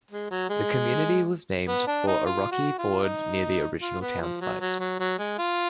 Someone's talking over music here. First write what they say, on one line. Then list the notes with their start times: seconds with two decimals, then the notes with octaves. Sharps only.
The community was named for a rocky ford near the original town site.
0.11 G#3
0.30 F#3
0.49 G#3
1.68 B3
1.87 D4
2.07 D#4
2.25 F4
2.51 F#4
2.78 F4
3.03 D#4
3.81 F4
4.01 B3
4.21 F3
4.41 F#3
4.60 F#3
4.79 F#3
4.99 F#3
5.18 G#3
5.38 F4